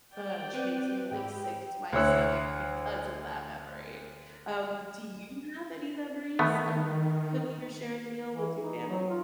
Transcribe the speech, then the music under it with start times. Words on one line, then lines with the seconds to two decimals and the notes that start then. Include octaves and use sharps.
"fudge" makes me, like, sick to my stomach because of that memory. Um, do you have any memories of cooking or sharing a meal with your family?
0.15 D5 G5
0.53 C4 B4
1.11 G#2 G#3 E4 G4 G5
1.93 D2 E4 C#5 E6 F#6
6.39 D#3 A3 B3
8.33 E3
8.61 D#4
8.89 F#3
9.09 F4